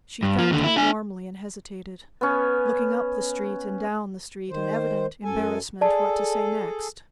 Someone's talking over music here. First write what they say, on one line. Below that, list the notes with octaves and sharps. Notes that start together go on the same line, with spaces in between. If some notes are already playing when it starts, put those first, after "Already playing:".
She thanked me warmly, and hesitated, looking up the street and down the street in evident embarrassment what to say next.
G2
F3
D#2 D3
E4
D4 G#5
B3 C#4
D#3 C5
F#2 A4 G#5
G#4 A4 D5 A5